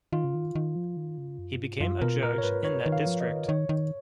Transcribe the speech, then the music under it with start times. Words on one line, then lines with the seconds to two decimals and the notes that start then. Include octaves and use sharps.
He became a judge in that district.
0.12 D#3 F4
0.24 C#3
0.35 D#3
0.55 D#3
0.76 F3
0.97 D#3
1.18 C#3
1.39 F#2
1.60 G#2
1.81 F#2 F4
2.01 B2 A#4
2.22 A#2 A#4
2.38 C#5
2.43 G#2 B4
2.65 C#5
2.86 D#3
2.92 F5
3.06 F3
3.20 D#5
3.28 D#3
3.48 D#3 C#5
3.69 D#3